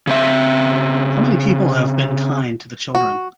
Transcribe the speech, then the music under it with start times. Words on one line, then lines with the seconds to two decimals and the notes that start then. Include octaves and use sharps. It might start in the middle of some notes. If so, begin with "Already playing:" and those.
Have many people been kind to the children?
0.07 C#3 C4 E5
2.95 F#4